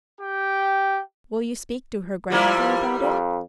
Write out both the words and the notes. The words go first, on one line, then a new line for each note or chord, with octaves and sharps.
Will you speak to her grandmother about it?
G4 G5
F3 G3 A#3 E4
F2